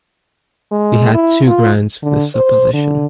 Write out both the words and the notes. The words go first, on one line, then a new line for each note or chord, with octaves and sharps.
He had two grounds for this supposition.
G#3
E4
F4
D3
C5
D3